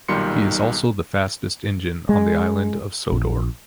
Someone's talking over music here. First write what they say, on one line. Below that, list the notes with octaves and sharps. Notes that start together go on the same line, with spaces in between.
He is also the fastest engine on the Island of Sodor.
B1 A#2 D#3 G3 C6 C#7
G#3
A#1